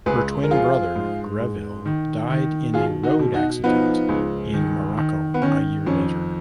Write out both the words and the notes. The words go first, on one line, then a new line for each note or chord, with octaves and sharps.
Her twin brother, Greville, died in a road accident in Morocco a year later.
C#2 G#4 B4
A#4
F3 F4 G#4
G#2
G#2
D#3
D#3
B2 F4 G#4
D#4 F#4
B2
D#4 F#4
F3 B3 D#4
C#2
D#3
D#3
B3
D#3 C#4
F2 C#4